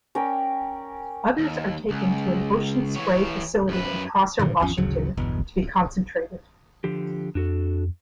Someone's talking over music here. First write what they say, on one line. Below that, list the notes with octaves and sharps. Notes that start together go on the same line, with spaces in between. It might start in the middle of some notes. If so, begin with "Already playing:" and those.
Others are taken to an Ocean Spray facility in Prosser, Washington, to be concentrated.
C#4 A#4 D5 G5
D#2
C#2
E3 C#5
F#2 B4
G2 A#2 D3 D#3
G#1 E2 F3 C#4
A1 D2 C#3 F#3
G1 E2 B2
D3 F3 G4
F2 D4 F#4 A4